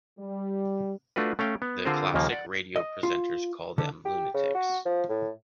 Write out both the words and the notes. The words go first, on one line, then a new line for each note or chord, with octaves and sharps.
The classic radio presenters call them lunatics.
G3
A3 D4 F4 F#4 B4
A3 C#4 F5 G5
B3
D3 C4 F4 G#4 A#4 C5
D#2 C#3 F3 A#3
D5 F#5
D#5
F4
D3
G4
C#3
F#4
F3
A2